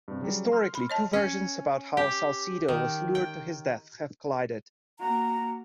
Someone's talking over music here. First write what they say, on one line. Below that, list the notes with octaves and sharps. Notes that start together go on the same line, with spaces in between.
Historically, two versions about how Salcedo was lured to his death have collided.
G2 C3
C#3 F#3 G3
C6 D#6 F6
B5
C#5 D#5 A5
C#4
G4
D#3
G5
A#3 F#4 A#5